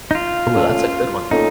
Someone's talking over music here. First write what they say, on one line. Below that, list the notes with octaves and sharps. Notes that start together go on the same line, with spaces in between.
Ooh, that's a good one.
D#4
F4
A#2 A3 C#4 A4
A#2 A3 C#4 D#4 A4